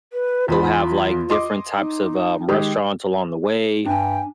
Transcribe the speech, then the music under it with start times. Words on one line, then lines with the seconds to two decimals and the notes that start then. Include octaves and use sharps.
they'll have, like, different types of, um, restaurants along the way.
0.13 B4
0.48 E2 F4 B5
1.30 D#5 C6 D6
1.77 D#4
2.49 D#3 G#3 G4
3.86 G2 D4 G5 G#5